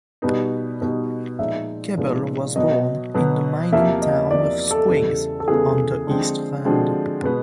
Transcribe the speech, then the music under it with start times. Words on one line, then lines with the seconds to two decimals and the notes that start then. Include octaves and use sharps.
Kebble was born in the mining town of Springs, on the East Rand.
0.22 B2 G3 B3 D#4
0.81 B2 G3 B3 D#4
1.39 A#2 F3 G#3 B3 D#4 E5
1.97 A#2 F3 G#3 B3 D#4
2.56 B2 F#3 B3 D#5
3.14 B2 F#3 B3
3.72 E2 C3 F3 A#3 E5
4.02 D#5
4.31 E2 C3 F3 A#3 D5
4.71 A4
4.89 E2 C#3 E3 G3 B3
5.40 A4
5.48 E2 C#3 E3 G3 B3 G#4
6.07 D3 F3 G#3 C4
6.65 D3 F3 G#3 C4 F#4
7.24 B2 G#3 B3